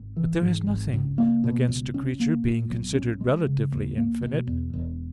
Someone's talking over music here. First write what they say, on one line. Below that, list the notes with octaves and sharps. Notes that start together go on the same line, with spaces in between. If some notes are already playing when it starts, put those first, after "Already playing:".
But there is nothing against a creature being considered relatively infinite.
Already playing: G#1
E3
G#2
G#1
C#2
A#3
B2
C#2
C#4
A#3
A#2
B1
C#4
G#3
C#3
D#2
A#3
B2
E2
E1